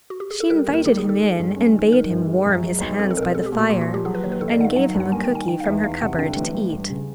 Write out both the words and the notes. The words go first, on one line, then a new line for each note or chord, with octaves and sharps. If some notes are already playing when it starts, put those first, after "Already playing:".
She invited him in, and bade him warm his hands by the fire, and gave him a cooky from her cupboard to eat.
F#4
G4
G#4
A4
G3 A#4
D#2
A#4
D#2 G4
G#4
D#3
A4
G#3
G2
C#4
D#3
D#3 A#4
G1
G#3
F#2
G#3
B1
C4 A4
A4
B2 A#4
A4
G#3 A4
G4
A#2
F#4
A#2 F#4
F#4
F3
G4
F#3 G#4
B4
D#2 C#5
B4
D#2 A4
D#5
D5
D#3 F#5
F5
F#3 F#5
G2
F#5
A#3 G#5
G5
D#3
G#5
D#3 G5
F5
E2 E5
E2 F5
C3 F#5
D3 G5
A1
A1
G2
C#3